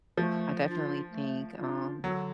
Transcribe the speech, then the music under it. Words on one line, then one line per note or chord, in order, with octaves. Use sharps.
I definitely think, um,
F3 A3
D4 F4
A3
D4 F4
D3 F#3